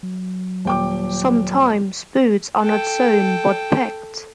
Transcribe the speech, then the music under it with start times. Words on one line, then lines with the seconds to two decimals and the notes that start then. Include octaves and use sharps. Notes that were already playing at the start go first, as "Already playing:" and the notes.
Sometimes boots are not sewn, but pegged.
0.03 F#3
0.65 D#1 G5 D6
2.62 A4 G5